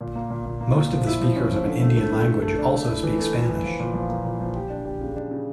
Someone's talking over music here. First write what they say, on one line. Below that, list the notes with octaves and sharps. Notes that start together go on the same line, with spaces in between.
Most of the speakers of an Indian language also speak Spanish.
A#2
A#3
A#2
A#2
A#3
A#2
F3
E4
F3
C#4
F3
D3
A3
A3
A3
A4
A3
D4
A3
E4
E3
A3
A3
E3
F3
A#2
F3
A#3
A#2
F3
G4
D4
G4
C#3
D4
C#3